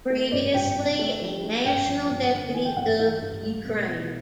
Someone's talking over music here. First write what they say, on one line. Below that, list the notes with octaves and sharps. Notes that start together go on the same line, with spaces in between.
Previously a national deputy of Ukraine.
A3
G2 D5
G2 G5
C3
A3
F3
A3
G2 G5
F3
G2
D3
E3 G#5
G5
G2 F#5
E5
E3 F5
G2
G3
B2
B2